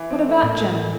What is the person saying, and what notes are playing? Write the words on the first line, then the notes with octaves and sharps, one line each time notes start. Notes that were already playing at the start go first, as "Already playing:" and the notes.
What about Jim?'
Already playing: E3
C4
A3
A2 A#3
E3
E4